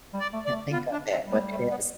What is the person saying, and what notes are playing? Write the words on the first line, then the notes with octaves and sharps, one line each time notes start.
Can't think of it, what it is.
G3
D5
A3
D5
A3
B3 F4
D4
C4
G3
B3
A3
B3